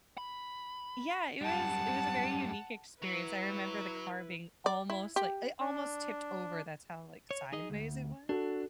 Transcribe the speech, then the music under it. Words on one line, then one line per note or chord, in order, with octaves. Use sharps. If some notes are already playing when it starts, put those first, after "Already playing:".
yeah, it was it was a very unique experience. I remember the car being almost like it almost tipped over, that's how, like, sideways it was.
B5
F#2 G3 F#5 A5
F#3 E4 B4
D5
E4
G4
D4
C#5
D#4 G#4 D#5
D2
D4 F#4 A4